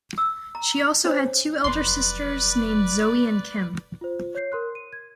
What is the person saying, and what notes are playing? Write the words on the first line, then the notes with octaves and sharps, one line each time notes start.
She also had two elder sisters named Zoe and Kim.
E6
A#5
C#4 D4 C5 C#5
F1 F#3 B4 D5 C6
F4 C5
C#5 G6 C7
A#4 C6 F#6
D#7
G#6